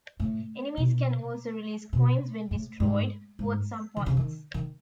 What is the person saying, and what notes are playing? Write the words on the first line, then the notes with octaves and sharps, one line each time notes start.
Enemies can also release coins when destroyed, worth some points.
A2
B2
B2
A2
G#2
G#2
D#3
C#3
D#3
D#3